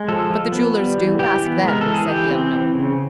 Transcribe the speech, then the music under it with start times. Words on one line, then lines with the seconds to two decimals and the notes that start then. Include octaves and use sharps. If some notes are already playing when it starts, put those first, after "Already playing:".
"But the jewelers do: ask them," said the unknown.
Already playing: G#3
0.08 F3 A4
0.30 F3
0.52 B3
0.75 G3
0.97 E3
1.19 E3 G4
1.42 B3
1.64 G#3 A#4
1.81 E3 A4
1.94 G#4
2.08 E3 G4
2.30 C4
2.52 E3
2.75 C#3